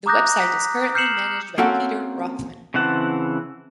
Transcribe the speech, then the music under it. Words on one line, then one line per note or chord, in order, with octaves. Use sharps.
The website is currently managed by Peter Rothman.
A#5 D6 D#6 F#6 G6 A#6
B6
F6 G6 C7 C#7 E7 F#7
A#3 C4 C#4 F#4 A4 F#5
C#3 E3 C4 F#5 A5